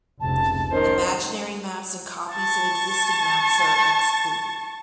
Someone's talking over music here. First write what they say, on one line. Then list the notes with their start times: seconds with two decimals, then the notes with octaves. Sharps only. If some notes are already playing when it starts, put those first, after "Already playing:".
Imaginary maps and copies of existing maps are excluded.
0.20 F1 C#2 C3 A5
0.72 D#3 C#4 C5
2.32 A5 C#6